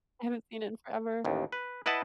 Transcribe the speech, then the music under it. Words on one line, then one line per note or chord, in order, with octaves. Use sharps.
I haven't seen it in forever.
A1 D#2
B4
E4 B4 D#5 F#5 A5